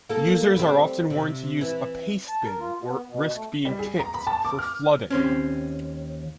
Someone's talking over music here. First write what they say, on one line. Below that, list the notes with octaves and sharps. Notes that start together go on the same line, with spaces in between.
Users are often warned to use a "pastebin" or risk being "kicked" for "flooding".
A#3 A4
G3 C4
C3
E3
A5
A#4
F4
B3
B2
A3
G3
G#4
A#5
B5
A5
D6
F6
D#2 C4 C#4